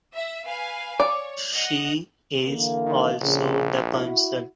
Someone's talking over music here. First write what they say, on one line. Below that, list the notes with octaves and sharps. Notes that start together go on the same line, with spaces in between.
She is also the Consul.
E5
B4 F5 G#5
C#5 D5
D#5 F#5
D3 E3 A#3
D#3
A#1 C#3
E4 F#4